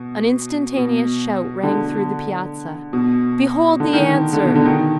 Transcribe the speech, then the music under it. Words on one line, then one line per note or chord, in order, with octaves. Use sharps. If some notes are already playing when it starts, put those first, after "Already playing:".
An instantaneous shout rang through the Piazza, "Behold the answer!"
Already playing: B2
B2
D3
B2
D3
D#3
D3
B2
D3
D#3